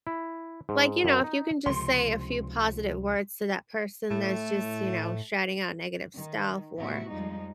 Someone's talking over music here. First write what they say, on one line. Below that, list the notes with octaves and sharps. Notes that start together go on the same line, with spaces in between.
Like, you know, if you can just say a few positive words to that person that's just, you know, shouting out negative stuff or,
E4
G#2
F#2
D#4
C#2 C3 F3 C6
A2 A3
D#3
A2 C3 B3 E4 F#4
F2 F3 G3 G#3 D#4